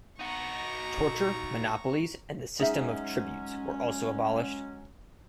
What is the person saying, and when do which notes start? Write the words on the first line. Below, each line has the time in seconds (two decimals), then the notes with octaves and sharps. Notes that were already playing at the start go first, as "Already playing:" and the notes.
Torture, monopolies and the system of tributes were also abolished.
0.19 D#4 F#4 A#5 C#6
2.60 F#3 G#3 C#4 D#4 G#4 E5